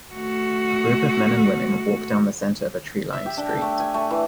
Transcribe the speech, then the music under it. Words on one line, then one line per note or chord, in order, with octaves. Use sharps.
A group of men and women walk down the center of a treelined street.
A3 F#4
E5
G4
D4
G5
A3
G#5
A3
E3